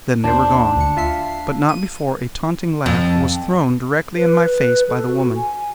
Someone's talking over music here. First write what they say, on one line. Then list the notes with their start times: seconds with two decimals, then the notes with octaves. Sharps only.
Then they were gone, but not before a taunting laugh was thrown directly in my face by the woman.
0.24 D#2 D4 C5
0.76 D2 C#7
0.97 F4 E5 C7
1.69 D#7
2.86 F2
4.16 B4
4.89 A4
5.07 F#4
5.37 G#5